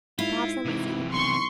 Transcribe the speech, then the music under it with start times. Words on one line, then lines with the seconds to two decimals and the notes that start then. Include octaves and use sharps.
'Perhaps I might see him.
0.19 G#2 E4 F4
0.65 G#2 C3 E3
1.12 B1 C6 C#6